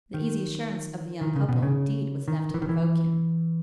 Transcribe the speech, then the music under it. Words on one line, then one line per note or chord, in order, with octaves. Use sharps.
The easy assurance of the young couple, indeed, was enough to provoke him.
D#3
D#3
C#3
B2
C#3
D#3
E3
D#3
E3